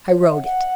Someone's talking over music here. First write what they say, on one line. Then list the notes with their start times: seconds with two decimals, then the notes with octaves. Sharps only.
I wrote it.
0.09 C#5
0.22 E5
0.32 F#5
0.45 F#5